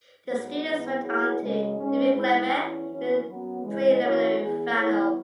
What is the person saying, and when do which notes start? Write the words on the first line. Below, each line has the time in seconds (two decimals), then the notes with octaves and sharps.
The Students went on to defeat Glebe in the preliminary final.
0.25 G#2 F#3 B3
0.63 G#2 E3 B3
1.00 F#3 B3 E4 G#4
1.38 F#2 C#3 G#3
1.75 G#2 G#3 C#4
2.12 G#2 G#3 E4 B4
2.50 E2 E3 C#4
2.87 F#2 E3 C#4
3.25 F#2 F#3 B3
3.62 C#3 E3 G#3
4.00 F#2 E3 C#4 F#4 C#5
4.37 E2 E3 B3 G#4
4.74 E3 B3 E4 C#5